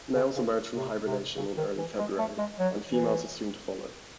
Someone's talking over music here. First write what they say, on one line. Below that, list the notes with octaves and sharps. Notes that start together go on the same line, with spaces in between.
Males emerge from hibernation in early February and females are soon to follow.
C#3
C#3
C3
C3
C#3
D#3
E3
G#3
A3
G#3
F#3
E3